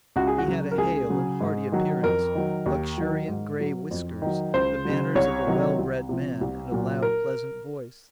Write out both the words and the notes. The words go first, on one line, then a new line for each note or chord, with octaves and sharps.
He had a hale and hearty appearance, luxuriant grey whiskers, the manners of a well-bred man, and a loud, pleasant voice.
C#2 F#4
G#4
F#4
C#3 F#3
A#4
C#2 G#4
C#3 F#3
G#2
D#3 F#3
F2 A#4
D#3 F#3
D#2
D#3 F#3
G#2
F#3
F2
D#3 F#3
C#2 C5
C#3 F#3
C2 C#5
C3 D#3 F#3
C2
C3 F3
C2
A#2 F#3
A#4